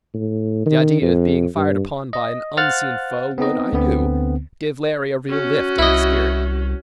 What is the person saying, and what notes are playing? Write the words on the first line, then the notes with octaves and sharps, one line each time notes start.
The idea of being fired upon by an unseen foe would, I knew, give Larry a real lift of the spirit.
A2
D#3
F2
G2
D#5
C5 F5 F#5 F6 F#6 A6
B3 C4 D#4 D#5
D2 D3 B3 C4
C#4 F#4
C2 E4 D#5